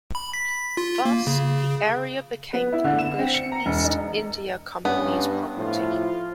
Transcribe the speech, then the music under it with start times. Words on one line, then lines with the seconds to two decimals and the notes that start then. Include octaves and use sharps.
Thus, the area became English east India Company's property.
0.15 B5
0.34 B6
0.77 F4
1.05 A#3
1.27 C#3
2.53 B3
2.72 E4
2.84 D3
2.99 E7
3.19 C4
3.34 C#7
3.52 A#5
3.66 E1
3.84 D#4
4.85 G2 B3 C#4
5.57 A2 F3 F4